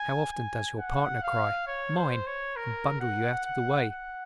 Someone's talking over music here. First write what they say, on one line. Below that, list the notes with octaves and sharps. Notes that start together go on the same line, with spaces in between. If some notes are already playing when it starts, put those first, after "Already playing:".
How often does your partner cry "Mine!" and bundle you out of the way?
Already playing: G#5
G#5
F#5
F5
C#5
C5
C#5
A#4
F#5
F#5
F#5